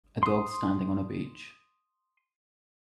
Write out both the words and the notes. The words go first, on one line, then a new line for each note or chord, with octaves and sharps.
A dog standing on a beach.
C6 D#6